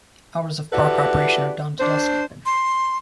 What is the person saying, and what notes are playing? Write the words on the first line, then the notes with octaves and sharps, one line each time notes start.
Hours of park operation are dawn to dusk.
E4 F#4 G4 A4 B4 D5
D4 C5
C6